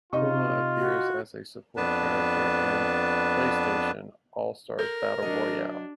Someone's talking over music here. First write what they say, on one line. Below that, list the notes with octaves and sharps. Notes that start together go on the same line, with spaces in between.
Kuma appears as a support character in "PlayStation All-Stars Battle Royale".
C3 D#4 F4 D#5 C#6
F#4
F2 B3 D4 B4 A5
A4 A#4
F#3 D4 D#5